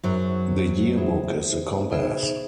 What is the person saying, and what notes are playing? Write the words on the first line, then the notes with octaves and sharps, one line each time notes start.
The yearbook is "The Compass".
F#2 F#3 B3 D#4 G#4 C5 E5
B3 D#4 G#4 C5 E5
B3 D#4 G#4 C5 E5